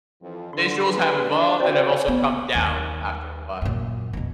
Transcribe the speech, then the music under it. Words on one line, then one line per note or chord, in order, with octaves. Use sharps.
Visuals have evolved and have also come down after a while.
F2 E3 F3
D3 C6
D4 G#4 B4
D4
C4 F#4 C5 D5 G5
B3
D#2
F#2 A#2
F2 B2